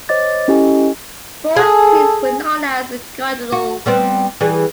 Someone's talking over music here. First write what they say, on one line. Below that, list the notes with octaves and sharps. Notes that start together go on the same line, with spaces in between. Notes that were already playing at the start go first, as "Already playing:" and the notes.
Sports teams were known as the Cardinals.
C5 C#5 D#5 D6 A6
C#4 E4 G4 A4 D#5 G#5
G#4 A4
F#4
G3 B3 C4
E3 G3 G#4